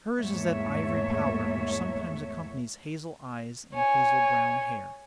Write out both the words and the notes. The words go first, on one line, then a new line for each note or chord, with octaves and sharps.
Hers is that ivory pallor which sometimes accompanies hazel eyes and hazel-brown hair.
E2 G#2 A3 A#3 C#5 E5
C#5 G#5